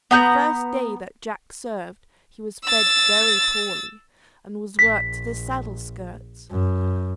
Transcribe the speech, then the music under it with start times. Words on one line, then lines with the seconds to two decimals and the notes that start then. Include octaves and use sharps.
The first day that Jack served he was fed very poorly, and was worked to the saddleskirts.
0.11 B3 A#5 G6
2.64 E6 A6
4.79 A#1 B6
6.50 F#2